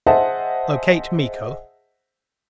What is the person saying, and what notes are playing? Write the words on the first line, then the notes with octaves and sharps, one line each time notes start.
Locate Miko.
G#4 C5 D#5 E5 F#5 A5